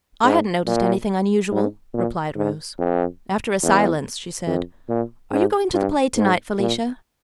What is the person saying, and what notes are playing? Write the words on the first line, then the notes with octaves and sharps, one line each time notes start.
I hadn't noticed anything unusual," replied Rose. After a silence she said: "Are you going to the play tonight, Felicia?
G#2
A#2
G#2
A#2
G#2
F2
E2
F2
A#2
G#2
G2
G#2
A#2